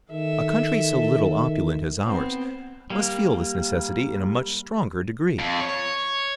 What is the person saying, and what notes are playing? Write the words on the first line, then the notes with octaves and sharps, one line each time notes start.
A country so little opulent as ours must feel this necessity in a much stronger degree.
D#3 A4 E5
B3 C4
G3 A#3
F2
C#5